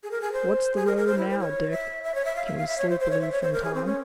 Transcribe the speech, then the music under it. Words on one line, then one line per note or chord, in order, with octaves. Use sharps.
"What's the row now, Dick?" came sleepily from Tom.
G#4
A#4
G#4
C5
G#4
A#4
A#4
C5
E4
C5
C#5
E5
E5
C#5
E5
F5
E5
F5
E5
C#5
C5
C5
C#5
E5
C#5
C5
A#4
G#4
C4
C#4